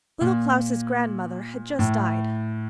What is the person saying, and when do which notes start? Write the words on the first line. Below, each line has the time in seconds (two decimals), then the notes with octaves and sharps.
Little Klaus' grandmother had just died.
0.21 A#2
1.79 A2